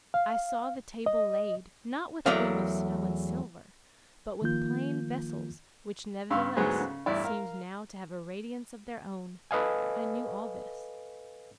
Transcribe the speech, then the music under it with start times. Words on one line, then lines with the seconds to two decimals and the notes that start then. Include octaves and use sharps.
I saw the table laid, not with gleam of snow and silver, but with plain vessels which, nevertheless, seemed now to have a radiance of their own. I knew all this.
0.14 F5
1.06 D#5
2.26 E2 F#3 A3 A#4 D5 F5
4.42 D#3 F3 A#3 F4 G6
6.30 G2 C#3 F5 C6 C#6 E6
6.56 D2 G#2 F#3 B3 G#4 C5
6.81 C#3
7.06 A1 E2 G2 E4 D5
7.23 A#4 F5
9.51 A4 B4 D#5 F5 G#5